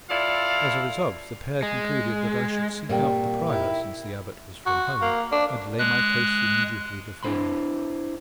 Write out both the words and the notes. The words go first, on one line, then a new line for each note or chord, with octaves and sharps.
As a result the pair concluded that I should seek out the Prior, since the Abbot was from home, and lay my case immediately before him.
E4 F4 A4 D5 F5
G#3
A#2 G3 A3 C4 A#4 G5
D#4 E4 G4
F#4
A#3
D4
G#3 F#6
D4 E4 C5 B5 C6